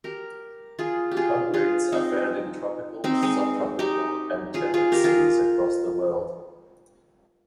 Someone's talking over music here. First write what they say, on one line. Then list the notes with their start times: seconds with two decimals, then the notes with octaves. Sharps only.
Congrids are found in tropical, subtropical and temperate seas across the world.
0.04 G4 A#4
0.79 F4 G#4
1.12 G4
1.17 F4 G#4
1.54 F4 G#4
1.92 C4 D#4
3.04 C4 D#4
3.23 G#3 C4
3.79 D#4 G4
4.54 F4 G#4
4.74 F4 G#4
4.92 G4 A#4
5.04 F4 G#4